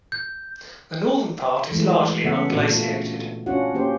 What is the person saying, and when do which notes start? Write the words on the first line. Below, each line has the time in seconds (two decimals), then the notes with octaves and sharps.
The northern part is largely unglaciated.
0.12 G6
1.72 E3 G#3 A3 E4
2.24 C#3 A3 B3 C#4 E5 F#5
2.51 A#2 D4 F#4
2.71 A3 F4
3.46 C#4 D4 F4 F#4 F#5
3.74 A#3 C#4 G4 C5